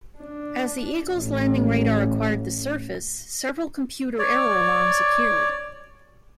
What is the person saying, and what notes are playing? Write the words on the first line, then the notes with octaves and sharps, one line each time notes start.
As the "Eagle"'s landing radar acquired the surface, several computer error alarms appeared.
D4
A1
C#5 D5